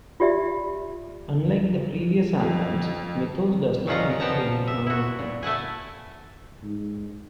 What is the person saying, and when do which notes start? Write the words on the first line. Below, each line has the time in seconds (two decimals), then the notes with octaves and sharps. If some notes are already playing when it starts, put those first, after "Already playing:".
Unlike the previous albums, "Mythos" does not include any drama tracks.
0.20 F4 G4 D5 E5
2.40 F2
3.87 A#2 D#3 C#4 F4 F#5 A#5
4.20 A#2 F3 B3 G5 A5 A#5
4.67 E5
4.87 E4 F#4
5.19 A#2
5.43 A3 E4 F#5 G#5
6.64 G#2